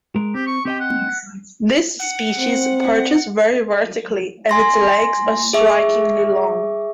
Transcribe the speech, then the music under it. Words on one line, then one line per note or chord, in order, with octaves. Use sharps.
This species perches very vertically, and its legs are strikingly long.
G#3 A#4
C4 G4
C#6
C4 G4 D#5 G5
F#5
F#5
C4
G#5 C6 A#6
G#4 E5 C#6 D6